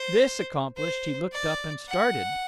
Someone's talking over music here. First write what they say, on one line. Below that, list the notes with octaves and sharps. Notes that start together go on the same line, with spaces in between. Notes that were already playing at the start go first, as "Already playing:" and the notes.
This accomplished, he looked up and started.
Already playing: C5
C5
D5
F#5